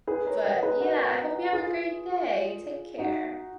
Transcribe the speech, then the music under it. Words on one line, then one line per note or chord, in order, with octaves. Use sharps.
but, yeah. I hope you have a great day, take care.
G#4 B4
A#4 C#5
B4 D#5
G#4 B4
F#4 A#4
F4 G#4
D#4 F#4